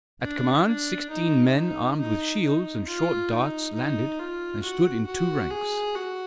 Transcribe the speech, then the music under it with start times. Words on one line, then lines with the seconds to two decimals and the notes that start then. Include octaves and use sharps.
At command sixteen men armed with shields and short darts landed and stood in two ranks.
0.22 D4
0.67 D4
1.10 D#4
1.54 D#4
1.98 D#4
2.43 D#4
2.87 F4
3.31 D#4
3.75 D#4
4.19 F4
4.63 F#4
5.07 F#4
5.50 G#4
5.95 F#4